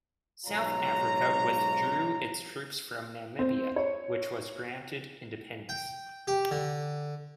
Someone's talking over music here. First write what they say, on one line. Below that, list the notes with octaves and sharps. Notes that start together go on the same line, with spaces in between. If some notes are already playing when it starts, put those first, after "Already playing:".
South Africa withdrew its troops from Namibia, which was granted independence.
B1 G#2 F4 C#5 A#5
C4
C#5
G5
G4
D3